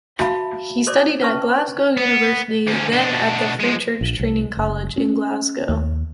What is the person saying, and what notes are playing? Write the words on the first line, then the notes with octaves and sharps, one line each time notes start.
He studied at Glasgow University then at the Free Church Training College in Glasgow.
F#4 E5 F5 A5 B5
A4 C5 D5 D6
C#4 B4 A5 C#6
B3
D2 C#4
B2 D4
F3 G#3
A#1
C2
F#1
C#4
D#2